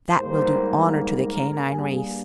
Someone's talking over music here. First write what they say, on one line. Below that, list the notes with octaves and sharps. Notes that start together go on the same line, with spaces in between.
That will do honor to the canine race!
G#2 G3 A#3 C5
A#4
G2 G3 A#3 G#4